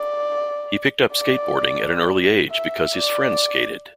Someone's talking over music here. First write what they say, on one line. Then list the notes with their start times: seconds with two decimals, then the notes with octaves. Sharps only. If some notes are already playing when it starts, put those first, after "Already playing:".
He picked up skateboarding at an early age because his friends skated.
Already playing: D5
1.13 D5
2.51 E5
2.96 D5